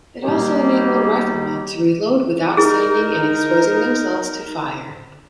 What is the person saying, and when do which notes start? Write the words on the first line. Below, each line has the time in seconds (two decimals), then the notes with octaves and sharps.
It also enabled riflemen to reload without standing and exposing themselves to fire.
0.23 D#3 F#3 G3 A#3 G4
2.57 D#4 E4 G#4 A#4